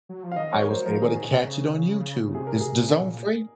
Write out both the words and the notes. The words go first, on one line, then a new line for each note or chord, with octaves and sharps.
I was able to catch it on YouTube. Is DAZN free?
F#3
F3
F5
D#3 D#5
F#3 C#5
A#4
F#3 C5
F#3
F3 A#4
D#3 G#4
A#2
C3
C#3
C#3
C#3
C3 G#4
A#4
G#4
C3
A#2